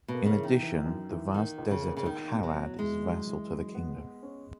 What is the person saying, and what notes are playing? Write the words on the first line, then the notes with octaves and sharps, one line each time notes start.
In addition, the vast desert of Harad is vassal to the kingdom.
B2
A#3
C#3
E3
D#3
E3
F#2
E3
D#3 A#3
C#2
C#3
A#3
C#3
D#3 A#3
B2
F#3
B2
E3 G#3
F#2
E3
F#2
B3
B3
C#4